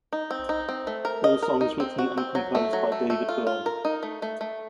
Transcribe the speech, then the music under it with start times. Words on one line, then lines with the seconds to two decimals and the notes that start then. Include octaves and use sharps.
All songs written and composed by David Byrne.
0.13 D#4
0.31 C4
0.49 D#4
0.69 C4
0.87 A3
1.05 A#4
1.24 D#5
1.42 A#4
1.61 D#4
1.80 C4
1.99 F#4
2.18 C4
2.35 F#3
2.55 A3
2.73 F#3
2.92 A3
3.10 A3
3.29 F4
3.47 F4
3.66 A#4
3.85 D#4
4.03 A3
4.22 A3
4.41 A3